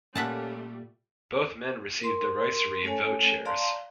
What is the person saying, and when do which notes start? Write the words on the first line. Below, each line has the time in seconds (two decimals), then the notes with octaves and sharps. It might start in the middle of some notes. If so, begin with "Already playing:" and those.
Both men received derisory vote shares.
0.15 A#2 G3 A3 C#4 E5 F#5 A5
2.00 A#4 C6
2.83 A3 C#4 A4 C#5 G#5
3.45 D5 F5 A5 A#5 C6